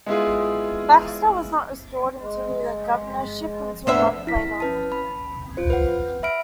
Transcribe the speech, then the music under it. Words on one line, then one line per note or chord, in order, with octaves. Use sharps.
Baxter was not restored to the governorship until a month later.
G#3 B3 E4 F4 G#4
G#3
E2 A2 B3 D4 C5 E5 F#5
E4 B6
C#4 B4 A5
B5
F4 C5
B4 F#5
E5 B5 F6 D7